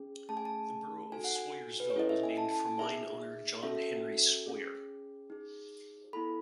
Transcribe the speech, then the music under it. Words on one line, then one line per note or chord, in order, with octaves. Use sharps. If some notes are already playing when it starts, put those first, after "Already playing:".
The borough of Swoyersville was named for mine owner John Henry Swoyer.
Already playing: C#4 G#4
A3 C#4 G#4 A5
G#5
A5
D#4 F#4 A4 G#5
F#5
G#5
B4
C#5
C#4 E4 A4 D#5
E5
G#5
A5
A5
G#5
D#4 G#4 E5
C#4 F#4 A4 E5
C#4 G#4
D#4 G#4
B3 E4 A4 B5